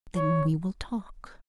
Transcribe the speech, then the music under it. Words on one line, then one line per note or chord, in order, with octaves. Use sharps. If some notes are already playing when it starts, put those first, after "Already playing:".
Then we will talk.
C#5